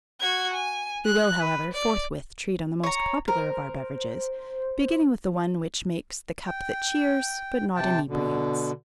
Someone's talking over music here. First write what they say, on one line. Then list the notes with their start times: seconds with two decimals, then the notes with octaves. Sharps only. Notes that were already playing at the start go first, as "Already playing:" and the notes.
We will, however, forthwith treat on the most popular of our beverages, beginning with the one which makes "the cup that cheers but not inebriates."
0.21 F#4 G#6
0.53 G#5
1.05 F#6
1.40 B4
1.73 D5
2.84 C#5 A#5
3.28 A#4 C5
6.46 G5
7.76 C3 G5 A5
8.07 B2 D3